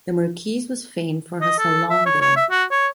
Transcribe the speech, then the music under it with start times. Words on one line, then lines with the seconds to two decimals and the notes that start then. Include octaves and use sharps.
The marquise was famed for her "salon" there.
1.41 D#5
1.58 A4
1.90 E5
2.06 C#5
2.21 C#5
2.37 E5
2.51 F#4
2.71 C#5